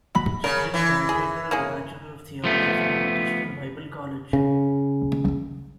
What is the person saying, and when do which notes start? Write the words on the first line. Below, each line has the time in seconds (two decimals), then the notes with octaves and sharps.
Steele graduated with a Bachelor of Theology from Northeastern Bible College.
0.15 F#4 B5
0.44 C#3 A#4
0.74 E3
1.09 G#4
1.51 A#3 C#4 G#4
2.44 F3 A3 B3
4.33 C#3